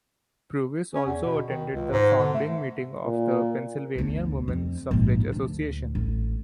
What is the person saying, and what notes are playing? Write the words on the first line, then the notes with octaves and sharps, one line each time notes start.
Purvis also attended the founding meeting of the Pennsylvania Woman Suffrage Association.
C#4
E2
B2
D#3
C#2
G#2
D3
A3
A#2
G1 D2
F2
A#1 G#2
D2
A1